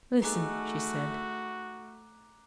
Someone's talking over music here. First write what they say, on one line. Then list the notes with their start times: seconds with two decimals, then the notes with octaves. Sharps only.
"Listen," she said.
0.22 A3 D#4 F#4 G#4 A4 A#5 D6 F#6